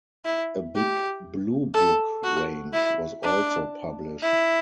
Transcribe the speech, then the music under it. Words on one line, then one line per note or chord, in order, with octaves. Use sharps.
A Big Blue Book range was also published.
E4
G4
A4
F#4
E4
D4
E4